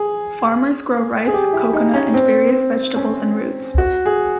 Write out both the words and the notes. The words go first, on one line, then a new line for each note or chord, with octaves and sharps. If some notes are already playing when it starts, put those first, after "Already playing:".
Farmers grow rice, coconut and various vegetables and roots.
Already playing: G#4
G#4
G4
E4
D#4
C#4
C4
C#4
F#4
G#4